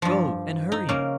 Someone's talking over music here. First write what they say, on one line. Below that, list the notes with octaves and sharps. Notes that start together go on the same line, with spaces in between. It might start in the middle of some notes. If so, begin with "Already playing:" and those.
Go, and hurry.
G2 F3
D#4
C#3 A#3